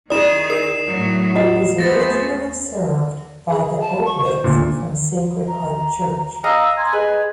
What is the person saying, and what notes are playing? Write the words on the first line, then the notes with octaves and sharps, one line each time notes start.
It was originally served by the Oblates from Sacred Heart Church.
D#3 E4 G#4 D5 D#6 E7
A#4 C7
A2 F#3
F4 D#5 F#5
A3 B3 G#4 C5 A6 A#6
G#4
A5
C#6
C5
G#1 D2 A#2
A#5
D#5 F5 A#5 E6
G#5 C6
G#4 B4 D#5